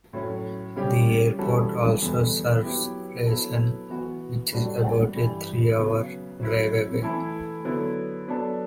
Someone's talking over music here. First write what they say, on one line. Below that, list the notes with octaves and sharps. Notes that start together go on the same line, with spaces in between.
The airport also serves Rason, which is about a three-hour drive away.
A2 F#3 C#4
C#3 G3 C#4 G4
E3 G3 C#4 F#4 A4
E2 D3 G3 B3
F#3 B3 E4 G4
F#3 B3 E4 A4
E3 B3 F#4
A2 G3 D4 F#4 A4
G2 E3 G3
C#3 F#3 B3
F#3 C#4 E4
E3 A3 E4 A4
D3 F#3 B3 E4
F#3 B3 D4 A4